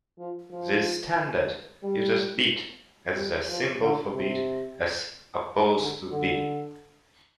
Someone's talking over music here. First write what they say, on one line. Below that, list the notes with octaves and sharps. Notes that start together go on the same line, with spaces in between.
This standard uses 'bit' as the symbol for bit, as opposed to 'b'.
F3
F3
G3
G3
F3
D3
C3
D3
D3